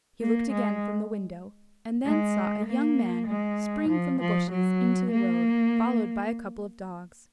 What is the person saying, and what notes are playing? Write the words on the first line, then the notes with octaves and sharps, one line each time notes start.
He looked again from the window, and then saw a young man spring from the bushes into the road, followed by a couple of dogs.
A#3
G#3
G#3
A#3
G#3
F3
F3
F#3
A#3